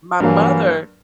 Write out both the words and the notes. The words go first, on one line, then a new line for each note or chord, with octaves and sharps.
My mother,
G2 E3 F#3 A#3